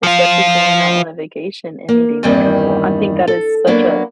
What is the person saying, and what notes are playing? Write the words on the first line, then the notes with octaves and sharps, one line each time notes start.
especially going out on a vacation and meeting new people. I think that is such a
F3 F4
A#3
E2 G2 D#3 G3 A#3 C4
A4
F#3 A#3 B3 D4